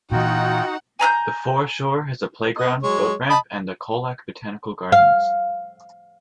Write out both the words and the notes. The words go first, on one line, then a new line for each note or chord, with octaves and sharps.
The foreshore has a playground, boat ramp and the Colac Botanical Gardens.
A#2 E3 D#4 F4 F#4 F#5 G5
G#5 A#5 F6 G6
B3 D#5
F#3 G#3 C#5
D#5 A5 B5
F5